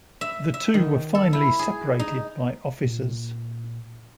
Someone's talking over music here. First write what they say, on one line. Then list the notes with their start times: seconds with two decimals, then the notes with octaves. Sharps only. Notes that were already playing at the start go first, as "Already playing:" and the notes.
The two were finally separated by officers.
0.21 E5
0.54 E5
0.74 D#3
1.15 A4
1.33 E4
1.59 G#4
1.99 D#4
2.83 A#2